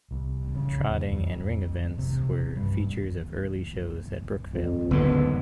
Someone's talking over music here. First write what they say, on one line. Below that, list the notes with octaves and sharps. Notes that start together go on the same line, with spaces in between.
Trotting and ring events were features of early shows at Brookvale.
C2
C#3
E2
F2
C3
G2
F2
F#1 D2 G#2 D3 B3